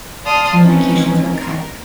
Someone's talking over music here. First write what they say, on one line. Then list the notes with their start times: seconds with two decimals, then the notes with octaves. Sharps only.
Communications were cut.
0.24 D5 F5 A5 C6 D#6 F6
0.60 A3 C4 C#4 D#4 B4
1.30 A#4